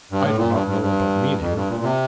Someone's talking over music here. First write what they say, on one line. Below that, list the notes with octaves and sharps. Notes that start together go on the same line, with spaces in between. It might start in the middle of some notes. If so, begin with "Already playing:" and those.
'I do not know about meaning.
G2
A2
A#2
G2
G2
G2
F2
G2
A#2
A#2
C3